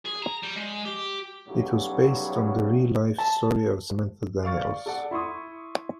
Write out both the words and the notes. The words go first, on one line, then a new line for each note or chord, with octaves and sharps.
It was based on the real-life story of Samantha Daniels.
G#4
A#5
G3
G#3
G4
B1 A2 C#3 F#3 G3
A5
D5 F5 C#6 A6
A4 D5 F#5
E4 C6 C#6 D#6